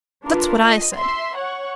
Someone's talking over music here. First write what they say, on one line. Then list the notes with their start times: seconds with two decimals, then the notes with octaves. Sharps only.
That's what I said.
0.25 D4 F4 A#4 B4
0.60 D#5
0.95 E5 C6
1.36 C#5 F#5 C#6